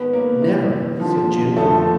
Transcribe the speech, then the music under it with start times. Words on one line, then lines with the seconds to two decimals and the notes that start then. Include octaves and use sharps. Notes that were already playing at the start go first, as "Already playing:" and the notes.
"Never," said June.
Already playing: G#2 D#3 B3 B4
0.13 A#3 A#4
0.42 D2 C3 E3
1.00 D#2 D3 F3
1.56 F2 D3 F3 A3 A4